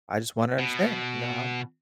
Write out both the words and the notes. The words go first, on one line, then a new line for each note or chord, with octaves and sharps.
I just wanna understand, you know, how
B2